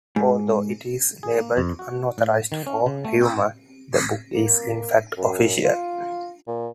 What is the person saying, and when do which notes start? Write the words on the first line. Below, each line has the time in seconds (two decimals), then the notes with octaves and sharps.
Although it is labeled "Unauthorized" for humor, the book is in fact official.
0.16 G#2
1.23 G#4
1.38 A#3
1.57 F2
1.79 F#4
2.18 A2
2.52 D#3
2.67 C#4
2.86 C#3
3.05 A3
3.22 G5
4.35 A#3
5.17 F#2
5.65 F4
6.47 A#2